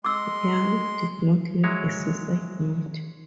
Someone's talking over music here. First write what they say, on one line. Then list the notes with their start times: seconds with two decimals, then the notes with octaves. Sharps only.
Yung did not leave a suicide note.
0.04 G#3 C6 D6 E6
1.64 F#3 G#3 E4 C#5